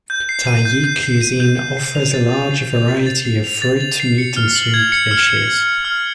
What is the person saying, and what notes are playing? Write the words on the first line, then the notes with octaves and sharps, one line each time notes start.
Tajik cuisine offers a large variety of fruit, meat, and soup dishes.
G6
C7
D#7
G6
G6
C7
D#7
G6
G6
C7
F7
A6
A6
C7
F7
A6
A6
C7
F7
A6
A6
C7
C#7
F6
F#7
G#6
C#7
F6
F#7
G#6
C#7
F6